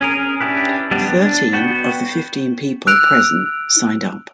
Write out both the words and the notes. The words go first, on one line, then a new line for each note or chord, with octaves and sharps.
Thirteen of the fifteen people present signed up.
C#4 G#4 A#4
C#4 D4 E4 G4 B4
G3 B3 D4
D4
B3 F#4 G5
E6 F#6 D7 F7